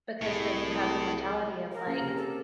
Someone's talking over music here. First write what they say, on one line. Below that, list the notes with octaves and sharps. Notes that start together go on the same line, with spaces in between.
because then you have the mentality of like,
C2 A2 G#4
A#4
A#3 C#4 G#4
C3 C4 G4
A4